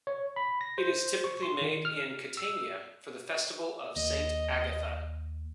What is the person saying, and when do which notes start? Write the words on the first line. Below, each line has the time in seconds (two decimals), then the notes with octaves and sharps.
It is typically made in Catania for the festival of Saint Agatha.
0.07 C#5
0.36 B5
0.61 A#6
0.78 C5
1.24 C#6
1.42 C6
1.61 D#3
1.85 F6
2.37 E6
3.96 D#2 D#5